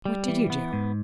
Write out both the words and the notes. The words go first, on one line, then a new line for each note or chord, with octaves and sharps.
"What did you do?"
G3
E3
B3
G#2